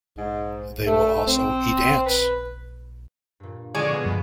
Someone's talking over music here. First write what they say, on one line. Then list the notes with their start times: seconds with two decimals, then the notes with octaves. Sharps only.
They will also eat ants.
0.18 G#2
0.86 A3
1.28 C4
2.06 B4
3.40 G2 A#2
3.75 D3 F3 G#3 C#5 D5 G#5
3.90 B2
4.05 G2 B5 D6 B6